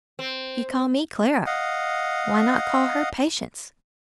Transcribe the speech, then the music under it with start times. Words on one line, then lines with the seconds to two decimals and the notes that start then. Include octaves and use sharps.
"You call me Clara; why not call her Patience?"
0.19 C4
1.46 D#5 F5 F#5